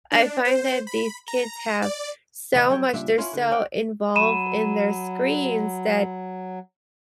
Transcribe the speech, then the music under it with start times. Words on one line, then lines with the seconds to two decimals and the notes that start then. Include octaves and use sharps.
I find that these kids have so much, they're so involved in their screens that
0.12 D4
0.45 C5
0.87 B5
1.28 A#5
1.82 D5
2.53 D2 C3 E3 D#5
2.70 F#3 G3 C#5 G5
2.93 C#2 A#2 G3 D4 E5
3.18 C#4 E4 F4 C#5
3.33 D3
3.51 C#5 D5 F#5 G5
4.16 F#3 B5 D#7 E7